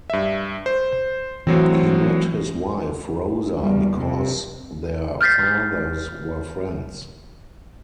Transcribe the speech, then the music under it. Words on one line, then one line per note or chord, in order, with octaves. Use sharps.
He met his wife Rosa because their fathers were friends.
G2 E5
C5
A2 E3 F#3 C4
E2 G3
C3
F6 G6 A6 B6 C7